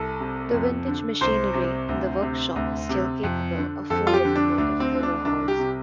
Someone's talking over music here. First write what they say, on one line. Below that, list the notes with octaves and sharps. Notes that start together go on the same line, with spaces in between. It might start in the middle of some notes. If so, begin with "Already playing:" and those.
The vintage machinery in the workshop is still capable of full locomotive overhauls.
Already playing: C2 A4
C3
F2
D3
C2 C5
C3
D2
C3
D2
C3
F2
D3
F2 A4
F4
G4
D3
D4
D2 D4
C4
D3
D4
C2 D4
G4
C3